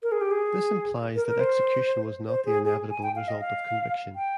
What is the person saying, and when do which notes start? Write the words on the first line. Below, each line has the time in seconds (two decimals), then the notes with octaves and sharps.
This implies that execution was not the inevitable result of conviction.
0.03 A#4
0.12 G#4
0.21 G4
0.31 G#4
1.15 A#4
1.28 A#4
1.40 C5
2.28 C5
2.46 G#4
2.65 G#4
2.90 G#5
3.03 G5
3.16 F5
3.28 D#5
3.41 F5
4.15 G5